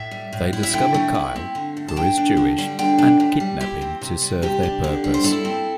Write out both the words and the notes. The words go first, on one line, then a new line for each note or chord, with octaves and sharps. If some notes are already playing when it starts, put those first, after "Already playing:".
They discover Kyle, who is Jewish, and kidnap him to serve their purpose.
Already playing: A2 E5
G3
A2
E4
E5
D3 G5
A3
E4
C4
D3
A3
A5
D3 G5
D4
D3
G3
D3 G5
D4
A2
G3
E4 G4
C4
C3
G3
C3 G4
D4
D3
G3
C5
E4 A4
C4